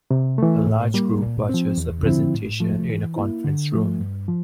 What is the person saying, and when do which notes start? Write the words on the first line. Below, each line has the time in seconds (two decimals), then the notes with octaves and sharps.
A large group watches a presentation in a conference room.
0.11 C3
0.38 E3 A3
0.67 A2
0.94 G3 A#3
1.22 A#2
1.49 F3 C4
1.77 E2
2.05 D3 F3 C4 E4
2.33 A2
2.61 F3 A3
2.89 E3
3.16 A#3 E4
3.44 D3
3.72 F3 A3
4.00 G2
4.28 F3